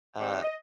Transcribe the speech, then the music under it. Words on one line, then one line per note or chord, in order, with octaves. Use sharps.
uh, eh,
D#3 G3 C4
D#5